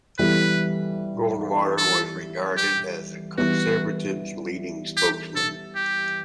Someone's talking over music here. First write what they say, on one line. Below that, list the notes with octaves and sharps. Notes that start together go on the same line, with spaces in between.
Goldwater was regarded as the conservatives' leading spokesman.
E3 G3 B3 E4 A4 B4
A4
G4
E3 G3 B3 F#4
G4
A4
G4